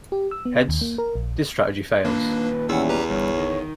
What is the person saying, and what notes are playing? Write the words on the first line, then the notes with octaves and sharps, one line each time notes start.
Hence this strategy fails.
G4
E6
B3
D#2
A#3
A#4
A#1
D#2 A#2 A#3 D4 B4
E2 E3 G3 C#4 F#5 E6
G4 B4 A#5
G1 G2 C#5
D#3